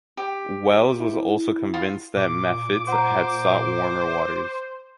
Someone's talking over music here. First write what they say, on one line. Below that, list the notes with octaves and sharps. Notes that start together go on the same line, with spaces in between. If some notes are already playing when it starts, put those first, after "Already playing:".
Welles was also convinced that Maffitt had sought warmer waters.
G4
E4
F4
A#2 D6
C5 F#5 A#5